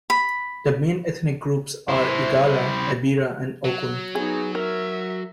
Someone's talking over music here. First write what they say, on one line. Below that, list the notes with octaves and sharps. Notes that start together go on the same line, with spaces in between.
The main ethnic groups are Igala, Ebira, and Okun.
B5
E4 C5
F#3
B3 D#4 G#4
A#4 E5